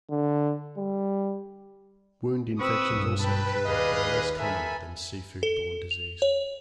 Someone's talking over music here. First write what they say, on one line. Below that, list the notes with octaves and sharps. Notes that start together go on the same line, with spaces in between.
Wound infections also occur, but are less common than seafood-borne disease.
D3
G3
C4 B4 B5 C#6 D#6 E6
B1 G2
B4 G5 A5 B5
D#2 G#4 D5 D#5 F5
A4 A#4 E5 G#5 B5
A4
F7
C#5